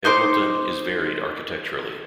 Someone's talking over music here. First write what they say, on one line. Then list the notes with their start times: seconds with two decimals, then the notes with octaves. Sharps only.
Edwalton is varied architecturally.
0.05 D#4 C5 D6